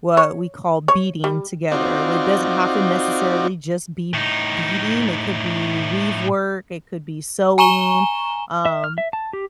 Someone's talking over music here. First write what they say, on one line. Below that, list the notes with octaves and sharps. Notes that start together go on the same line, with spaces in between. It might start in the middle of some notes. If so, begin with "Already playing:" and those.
what we call beading together, with it doesn't have to necessarily just be beading, it could be weave work, it could be sewing, um,
C#5
C#5
G3
C4 D#4 F4 F#4 D5
A2 D#4
G#5 A#5 C#6 E7 G7
E5
F6
E5
A5
G4